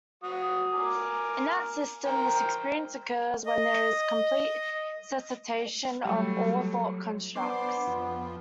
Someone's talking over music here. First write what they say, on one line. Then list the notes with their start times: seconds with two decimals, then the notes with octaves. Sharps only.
In that system, this experience occurs when there is complete cessation of all thought-constructs.
0.23 F#3 F#4 D#6
0.73 A#4 G#5 D6
2.05 A#4 C5 G5
3.46 D#5
6.05 F#3 G3 A3
7.36 B3 D4 C5
7.87 F2